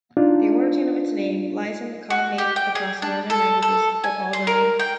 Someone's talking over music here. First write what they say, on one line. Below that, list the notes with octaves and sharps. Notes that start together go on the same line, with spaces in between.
The origin of its name lies in the cognate across Norman languages for Alderney.
D4 D#4 F4
F#4
G4
G5
G#4
D4
A4
A4
G#5
C6
A#4
G5